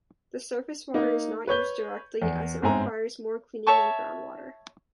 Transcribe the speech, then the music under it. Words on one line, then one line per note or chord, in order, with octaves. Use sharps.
The surface water is not used directly as it requires more cleaning than groundwater.
A#3 D#4
B4 C#5 G6 G7
E2
G1 G#2 C4 G#5 A#5
C#5 E5 A5 C#6